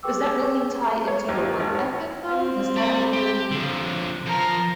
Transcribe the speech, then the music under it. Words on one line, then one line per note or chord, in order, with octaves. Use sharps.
Does that really tie into your work ethic though? Does that really
G4 G#4 B4 G5 D6 E6
C#5
D#2
G#1
C#5
C4
G4 B5
G4
D3 F3
F3 A#4